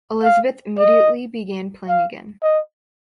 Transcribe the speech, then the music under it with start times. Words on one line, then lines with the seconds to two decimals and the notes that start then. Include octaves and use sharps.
Elizabeth immediately began playing again.
0.23 F5
0.78 D#5
1.89 F5
2.43 D#5